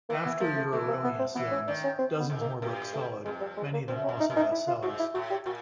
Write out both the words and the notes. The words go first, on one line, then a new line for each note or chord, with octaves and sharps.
After "Your Erroneous Zones" dozens more books followed, many of them also best-sellers.
E3 A#3
B3
F3 A#3
A3
E3 A3
A#3
B3
C4
E3 B3
C#4
D#3 D4
C#4
C4
B3
G#2
A#3
G2 A#3
A3
F2 G#3
G3
G#3
A#3
F#2 C4
C#4
F#2
D#4
F#2
D#4
E4
F4
G#2 F#4
E4
A2 F#4
G4
A#2 F#4